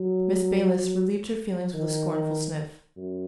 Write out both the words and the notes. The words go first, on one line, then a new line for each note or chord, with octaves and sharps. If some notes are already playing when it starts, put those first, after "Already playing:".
Miss Baylis relieved her feelings with a scornful sniff.
Already playing: F#3
D#3
F#2